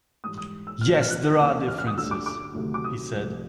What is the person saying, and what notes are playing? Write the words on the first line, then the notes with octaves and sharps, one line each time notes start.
"Yes, there are differences," he said.
G#2 E3 G3 D#6
D#6
E6
A2 E3 G3 B3 F6
F6
F#6
D#2 C#3 E3
F6
F6
D#6
D2 D3 G3 E6
D6
D6
D2 C3 D#3 F#3 A3
D6
D#6
C2 C3 F3 A3